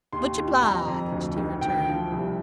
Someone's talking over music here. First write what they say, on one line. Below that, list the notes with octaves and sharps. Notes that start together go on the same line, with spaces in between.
"Much obliged," he returned.
D#2 C6
D#2
F2 A#5
F2
D2
D#3
D2 G5
F3
C2